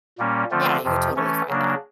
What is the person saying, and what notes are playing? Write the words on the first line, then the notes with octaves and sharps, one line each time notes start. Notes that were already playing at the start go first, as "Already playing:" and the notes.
Yeah, you could totally find that.
A#2 G3 A#3 C#4
D3 F3 A3 C4 F4
F2 C3 F3
E3 A3 C#4
C#3 F#3 A#3 D4